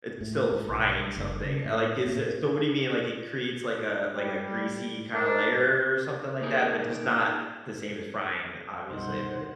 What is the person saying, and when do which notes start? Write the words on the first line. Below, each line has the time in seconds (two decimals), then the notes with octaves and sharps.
It's still frying something. Uh, like, is it so what do you mean? Like, it creates like a like a greasy kinda layer or something like that, but just not the same as frying, obviously, but
0.21 A2
0.52 G#2
0.69 B1
1.16 F#1
1.44 C#3
1.65 A2
2.07 A#2
4.16 G3
5.14 D4 A#4
6.41 A#3 D#4 G#4 A#4
8.88 C2 F#2 B2 D#4 C5 F#5 C6